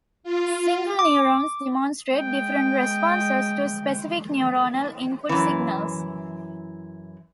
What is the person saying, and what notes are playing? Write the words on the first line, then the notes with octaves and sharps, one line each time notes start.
Single neurons demonstrate different responses to specific neuronal input signals.
F4
D6
G#3 G5
F#2 E3